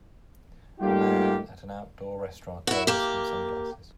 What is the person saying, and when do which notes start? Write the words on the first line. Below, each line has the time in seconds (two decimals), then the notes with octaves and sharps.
A man at an outdoor restaurant lowers him sunglasses.
0.81 G3 A3 A#3 D#4 F4 G4
2.67 E4 F#4
2.87 A#3 G4